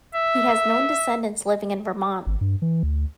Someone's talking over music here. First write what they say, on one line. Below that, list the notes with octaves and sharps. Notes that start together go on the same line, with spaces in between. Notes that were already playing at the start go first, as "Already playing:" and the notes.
He has known descendants living in Vermont.
E5
G#1
G2
E3
D2